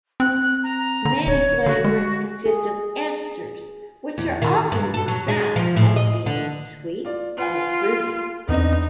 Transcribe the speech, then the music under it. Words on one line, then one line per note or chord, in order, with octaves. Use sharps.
Many flavorants consist of esters, which are often described as being "sweet" or "fruity".
C4 F#6
A#5
D3
D#1 C#5
D3 F#4
G#3
G#4
E2
D#3
G2
A4
F#3
G#3
F3
A2
D#5
D3
F4 D5
F4 B4 F#5 G#5
E2 B3 C4 D4 D#4 D#5